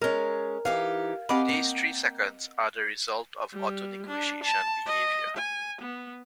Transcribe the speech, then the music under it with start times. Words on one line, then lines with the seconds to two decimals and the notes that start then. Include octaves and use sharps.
These three seconds are a result of the autonegotiation behavior.
0.01 G#3 C#4 A#4
0.65 E3 D#4 G4 F5
1.29 C4 G4 D#5 F5 F#5 B5 D6
1.49 A#3 G5
3.53 G3
4.07 D4
4.44 A5
4.86 D#5
5.37 G#5
5.82 B3